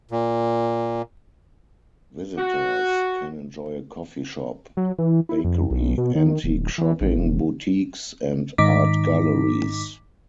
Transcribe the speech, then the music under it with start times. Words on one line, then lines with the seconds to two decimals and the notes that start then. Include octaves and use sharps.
Visitors can enjoy a coffee shop, bakery, antique shopping, boutiques, and art galleries.
0.11 A#2
2.37 F#4
4.77 F#3
4.99 E3
5.29 E4
5.44 F2
5.71 B1
5.98 B2
6.15 D#3
6.44 D1
6.78 E3
7.01 A1
7.18 E1
8.58 G#2 D#3 D#4 D6 B6